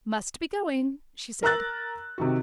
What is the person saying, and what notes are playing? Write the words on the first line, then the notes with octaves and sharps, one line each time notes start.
"Must be going," she said.
A#4 A#5 E6 F#6 A6
C3 D#3 F#4